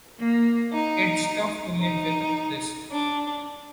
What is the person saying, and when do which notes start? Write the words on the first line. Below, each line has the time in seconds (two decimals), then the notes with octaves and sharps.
It's tough to live with this.
0.19 A#3
0.73 D#4
1.82 D#4
2.91 D4